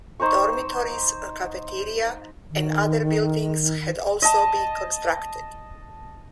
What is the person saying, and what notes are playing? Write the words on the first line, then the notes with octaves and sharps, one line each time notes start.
Dormitories, a cafeteria, and other buildings had also been constructed.
D#4 C5 A#5 C#6
D#3
D#5 A5